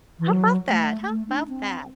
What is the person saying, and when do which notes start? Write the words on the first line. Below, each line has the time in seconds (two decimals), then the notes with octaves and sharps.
How 'bout that? How 'bout that?
0.18 E3
0.28 F#3
0.68 A3
1.08 A3
1.28 D4
1.48 C4